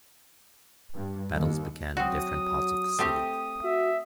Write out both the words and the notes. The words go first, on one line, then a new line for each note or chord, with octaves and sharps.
Battles began in different parts of the city.
G2
D#2
F#3 C4 F#4 D#6
A3 C4 G4
F#4 E5